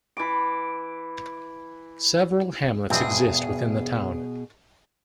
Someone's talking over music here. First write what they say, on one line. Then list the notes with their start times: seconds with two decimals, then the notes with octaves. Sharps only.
Several hamlets exist within the town.
0.17 E3 D6
2.90 E2 G2 B2 C4 G#4